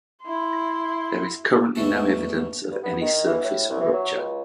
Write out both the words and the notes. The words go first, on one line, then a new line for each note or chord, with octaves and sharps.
There is currently no evidence of any surface rupture.
E4 C6
E2 G#2 A3 E4 F#4 A5
G2
B3
D#3
E3
A2
C2
E3
F#3
C#2